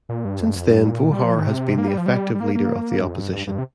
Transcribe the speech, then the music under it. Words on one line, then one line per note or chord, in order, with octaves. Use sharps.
Since then Vohor has been the effective leader of the opposition.
A#2
G2
F2
G2
F2
G2
A#2
G3
F3
D#3
C3
A#3
G3
F3
G3
G3
A#3
A#3
G2
F2
G2
G2
G2
C3